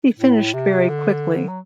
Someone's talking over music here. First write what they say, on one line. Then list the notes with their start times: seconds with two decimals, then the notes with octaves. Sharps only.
He finished very quickly.
0.19 A2
0.54 C3
0.89 D3
1.48 F#3